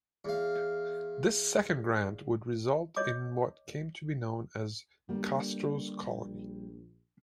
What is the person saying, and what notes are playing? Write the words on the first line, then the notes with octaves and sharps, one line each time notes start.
This second grant would result in what came to be known as Castro's Colony.
E2 F5
C#5 D#5 D6
D3 G3 A#3
A#1